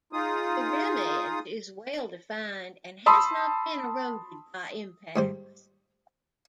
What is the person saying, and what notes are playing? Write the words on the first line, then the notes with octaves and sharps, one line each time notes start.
The rim edge is well-defined and has not been eroded by impacts.
D#4 F4 G#4 D#6
A5 B5 C6 D#6 E6
G#2 G3 C5